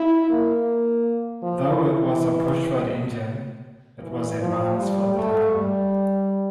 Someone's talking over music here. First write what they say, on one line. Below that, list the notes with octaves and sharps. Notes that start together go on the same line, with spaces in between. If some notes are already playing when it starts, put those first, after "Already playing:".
Though it was a pushrod engine, it was advanced for the time.
Already playing: E4
A#3
F3
E3
E3
F3
G3
A3
G3